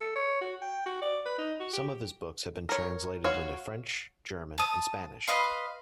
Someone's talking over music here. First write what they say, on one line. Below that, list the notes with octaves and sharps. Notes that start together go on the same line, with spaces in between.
Some of his books have been translated into French, German and Spanish.
A4
C#5
F#4
G5
F#4
D5
B4
D#4
F#4
G4
A#4 C#5
F#4 C#5 F5
A5 D#6
B4 D#5 F5 C6